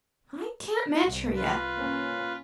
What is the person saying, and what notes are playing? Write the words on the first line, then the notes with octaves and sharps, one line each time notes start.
I can't match her yet.
C2
F4 B4
A#3 C#4